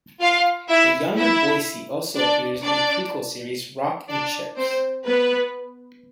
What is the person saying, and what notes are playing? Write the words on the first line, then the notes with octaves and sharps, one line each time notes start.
A younger Boycie also appears in the prequel series "Rock and Chips".
F4 F5
E4 E5
E4 E5
D4 D5
D4 D5
D4 D5
C4 C5
B3 B4